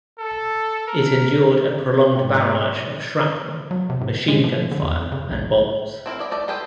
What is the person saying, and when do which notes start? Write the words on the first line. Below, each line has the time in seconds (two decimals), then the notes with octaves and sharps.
It endured a prolonged barrage of shrapnel, machine-gun fire and bombs.
0.19 A4
0.87 A#4
2.15 G#2 B2 E4 G4
3.71 F#3
3.90 C3
4.01 A2
4.28 G#3
4.44 F3
4.71 D3
4.83 E2
4.96 F2
5.12 C#3
5.30 B1
6.06 C4 E4 A#4
6.19 B3 D5 E5
6.31 A3 D5 D#5
6.48 G#4 A4 B4 C5 G5